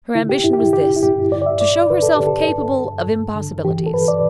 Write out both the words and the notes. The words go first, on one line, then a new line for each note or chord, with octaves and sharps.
Her ambition was this--to show herself capable of impossibilities.
D3 E4
G4
G2 E4
G4
E4
D3 G4
E4
G2 G4
G2 D5
D5
E5
G2 D5
D3 B4
A4
D3 G4
A4
G2 A4
G2
G2
D3
E3 G4
A4
G2 B4
D5